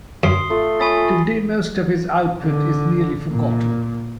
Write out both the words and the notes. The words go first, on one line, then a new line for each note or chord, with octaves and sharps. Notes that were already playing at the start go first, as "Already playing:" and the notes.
Today, most of his output is nearly forgotten.
F#2 C6 D#6 C7 G7
A3 F4
A4 C#5 G#5 B5 D#6 A6
D3
A#2